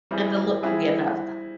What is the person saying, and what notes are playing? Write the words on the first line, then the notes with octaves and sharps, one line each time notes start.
and the look can be enough.
G3 C4 E4 G#4
G3 C4 E4 G#4